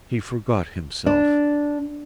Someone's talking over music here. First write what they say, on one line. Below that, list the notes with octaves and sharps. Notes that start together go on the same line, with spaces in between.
He forgot himself.
D4